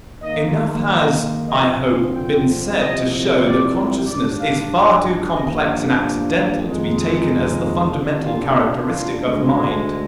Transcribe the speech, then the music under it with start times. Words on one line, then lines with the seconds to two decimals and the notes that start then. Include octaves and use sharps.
Enough has, I hope, been said to show that consciousness is far too complex and accidental to be taken as the fundamental characteristic of mind.
0.21 G#2 D#3 A#3 D#5
0.85 D#5
1.49 F2 D3 F3 C4 D#5
1.81 G#4
2.14 G5
2.77 C2 C3 F3 D#5
3.42 D5
4.05 G#2 G3 D4 D5
4.39 F5
5.34 G2 F3 A#3 D4 D#5
6.30 F5
6.62 F2 D#3 G#3
7.27 G#4
7.59 D#4
7.91 C2 A#2 G3 D4
8.24 F4
8.55 D#4
8.87 F4
9.20 D2 D3 G#3
9.51 D4